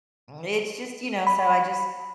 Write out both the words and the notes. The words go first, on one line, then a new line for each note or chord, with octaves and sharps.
It's just, you know, so I just
B5